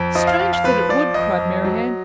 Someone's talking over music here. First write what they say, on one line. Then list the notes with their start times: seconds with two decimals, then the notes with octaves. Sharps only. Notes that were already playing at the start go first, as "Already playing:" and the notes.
"Strange that it would!" cried Marianne.
Already playing: F2
0.15 F3 D#5
0.27 F5
0.39 F2 F5
0.53 F5
0.64 F3 B4
0.89 F3 D5
1.14 F2 D#5
1.39 F2
1.64 F#3